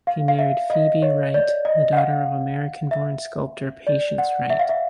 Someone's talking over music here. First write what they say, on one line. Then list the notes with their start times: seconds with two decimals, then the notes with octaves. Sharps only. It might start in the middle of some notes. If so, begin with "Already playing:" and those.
He married Phoebe Wright, the daughter of American-born sculptor Patience Wright.
0.07 F5
0.28 F5
0.39 E5
0.70 D#5
1.02 C#5
1.34 D5
1.65 D#5
1.93 F#5
1.97 F5
2.91 E5
3.87 D5
4.18 F#5
4.50 E5
4.59 F5
4.69 E5